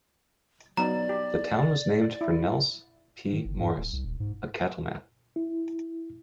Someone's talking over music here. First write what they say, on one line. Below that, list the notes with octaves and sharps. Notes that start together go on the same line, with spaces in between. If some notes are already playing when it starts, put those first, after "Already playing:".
The town was named for Nels P. Morris, a cattleman.
F#3 B3 D#4 D5 A#5
G4
E4
D#3
G1
G#2
D1
C2
D#1
G#2
E4